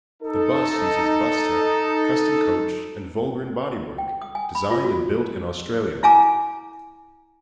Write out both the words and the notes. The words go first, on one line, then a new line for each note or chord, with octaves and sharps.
The bus uses Bustech, Custom Coach and Volgren bodywork, designed and built in Australia.
D#4 A4
G5
D#6
G#5
B5
F4
F#4
E4 F5 G#5 A#5 D6